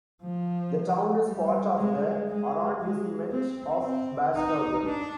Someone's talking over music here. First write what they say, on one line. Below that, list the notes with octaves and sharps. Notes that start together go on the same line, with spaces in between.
The town is part of the Arrondissement of Bastogne.
F3
G3
G#3
G#3
G#3
C4
C4
D#4
D4